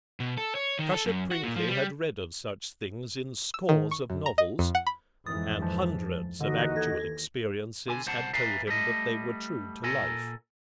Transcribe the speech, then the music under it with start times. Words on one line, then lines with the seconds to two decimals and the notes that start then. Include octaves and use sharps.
Cushat-Prinkly had read of such things in scores of novels, and hundreds of actual experiences had told him that they were true to life.
0.20 B2
0.37 A4
0.55 C#5
0.79 D#3
0.92 A4
1.06 F#2
1.31 F#4
1.44 A#2
1.56 F3
1.68 G3
3.54 E6
3.69 D#3
3.91 C#6
4.10 F#2
4.26 A#5
4.38 D#5
4.59 F2
4.75 F#5
4.87 B5
5.26 F2 G#2 E3 D#6 A6
5.62 F3
6.41 D#2 D3 E3 D#4 F#4 D#5
6.76 A4 G#6 A#6
7.87 D3 G#5
8.06 C2 C5 F#5 A5
8.34 B4 D5 E5 F5 G#5 A#5
8.67 G3 A3 D#5
9.83 A#2 A4 A#4 G#5